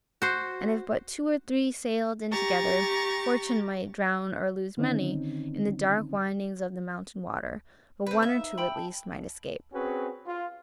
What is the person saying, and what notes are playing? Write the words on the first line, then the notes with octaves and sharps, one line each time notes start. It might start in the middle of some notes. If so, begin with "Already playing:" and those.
And if but two or three sailed in together, Fortune might drown or lose many in the dark windings of the mountain-water, but one or two at least might escape.
F#4 C5
G4 A#5 C#6 A6
D3 D#3 C4 C#4 D#4
C4 B4
E5 F5
D#4
G5 B5
A5
C4 C#4 F#4 G#4 B4
F4